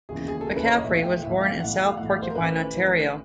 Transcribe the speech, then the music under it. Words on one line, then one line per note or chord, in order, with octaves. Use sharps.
McCaffrey was born in South Porcupine, Ontario.
E1 D#2 C#3 E3 G#4
G#4
A4
E1 D#2 C#3 E3 A#4
B4
C#5
D#5
B1 A2 E3 E5
F5
G5
B1 A2 E3 E5
F5
B1 A2 E3 F#5
F5
B1 A2 E3 F#5
F5
C5
A#4
A1 A2 E3 B4
A1 A2 E3